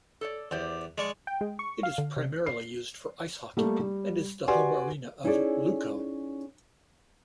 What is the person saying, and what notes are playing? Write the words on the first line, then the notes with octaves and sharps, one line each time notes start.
It is primarily used for ice hockey, and is the home arena of Lukko.
A4 C#5 D5
E2 G4 C5 D5
F3 G#3 D5 C#6
G5
G#3
C#6
F5
D3
C3
C7
G3 A3 A#3
G3
F#4 G4 B4 D5 G#5 C6
C#4 D#4 E4 G#4 A4 D5